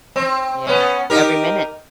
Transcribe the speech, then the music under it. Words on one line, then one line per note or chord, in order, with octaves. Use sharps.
Yeah. Every minute.
C4
B3 C#4
D#4 G4 A#4